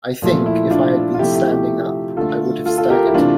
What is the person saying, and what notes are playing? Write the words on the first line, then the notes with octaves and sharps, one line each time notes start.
I think, if I had been standing up, I would have staggered.
A#2 F3 A3
E4
D4 F4
F4
C3 F3 A3 E4 G4
E4 G4
E4 G4
D3 A3 F4 A4
F4 A4
F4 A4
G4 A#4
E4
C3 E3 A3 D4 F4